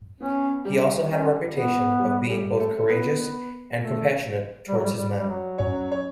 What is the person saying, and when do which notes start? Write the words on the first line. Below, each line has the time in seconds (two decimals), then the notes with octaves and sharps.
He also had a reputation of being both courageous and compassionate towards his men.
0.20 B3 C#4
0.65 G3 G4
1.11 C#4
1.54 B3
1.99 G3 G4
2.29 G3 G4
2.60 A3 A4
2.89 B3 B4
3.19 B3 B4
3.79 A3
4.68 G3
4.77 F#3
4.84 G3
4.98 G3
5.20 G3
5.28 F#3
5.58 C#4 C#5
5.91 C#5